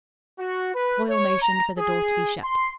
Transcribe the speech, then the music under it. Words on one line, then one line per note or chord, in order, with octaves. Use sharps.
Foyle motioned for the door to be shut.
F#4
B4
C#5
A#5
G#4
C6